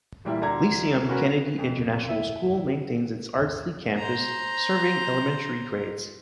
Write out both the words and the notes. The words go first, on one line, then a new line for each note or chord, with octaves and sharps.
Lyceum Kennedy International School maintains its Ardsley campus, serving elementary grades.
A#2 E3 G3 A#3 E4
D2 D5 A#5 G#6
B3 C#4 F#4 A#4 B4
F7
F2
E4
C5 A#5